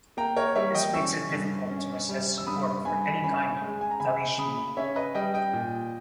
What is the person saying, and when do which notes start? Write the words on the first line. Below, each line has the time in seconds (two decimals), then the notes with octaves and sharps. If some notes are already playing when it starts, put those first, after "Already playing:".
This makes it difficult to assess support for any kind of Talysh movement.
0.17 A#3 G5 A#5
0.37 A#4 C#5
0.55 G3 C#5 E5
0.74 D#5 G5
0.93 C#4 C#6 E6
1.32 G2
1.70 C#4
2.09 G3
2.38 E6
2.47 G2 B5 D#6
2.85 G2 G#5 B5
3.23 C#4 G#5 B5
3.62 G#3
3.81 G#5
3.91 A#5
4.00 C#3 G#5 B5
4.38 C#3 B5 D#6
4.77 C#4 C#5 E5
4.96 B4 D#5
5.15 G3 D#5 G5
5.34 D#5 G5
5.53 A#2